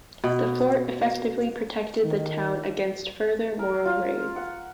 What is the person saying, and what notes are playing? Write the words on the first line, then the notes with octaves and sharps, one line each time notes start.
The fort effectively protected the town against further Moro raids.
B2
D#3
A#4
F4
F#5